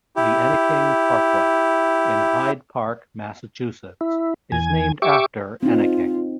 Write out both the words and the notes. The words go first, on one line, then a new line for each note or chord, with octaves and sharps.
The Enneking Parkway in Hyde Park, Massachusetts is named after Enneking.
E4 G4
E4
E2 G#5
G4 E5 C#6 D6
C4 D#4 F4